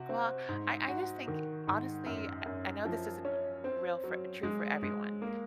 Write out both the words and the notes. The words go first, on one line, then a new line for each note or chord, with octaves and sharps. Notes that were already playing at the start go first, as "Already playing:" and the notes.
Well, I I just think, honestly, I I know this isn't real for true for everyone.
Already playing: C3 F#4
C4
G#2
F#4
D#3
G#2
F#2
F#2
F3
C#4
C4
F#3
G#3
G#3
A#3